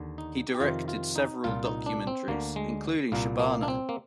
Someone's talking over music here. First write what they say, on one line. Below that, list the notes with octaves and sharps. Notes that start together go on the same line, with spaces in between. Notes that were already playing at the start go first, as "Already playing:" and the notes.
He directed several documentaries, including Shabana!
Already playing: D#2 D3
D#4
G4
F2 C3 D#3 F4
F4
D#4
C2 A#2 F4
D#4
D4
C4
D2 D3 A#3
G#3
C2 A#2 A#3
A#3
D4
C4
A#3